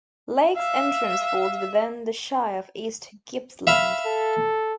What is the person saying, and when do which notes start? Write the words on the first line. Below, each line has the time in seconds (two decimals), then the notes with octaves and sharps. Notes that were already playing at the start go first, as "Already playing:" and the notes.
Lakes Entrance falls within the Shire of East Gippsland.
0.57 E5 F5
3.67 E5 F5 B5
4.06 A4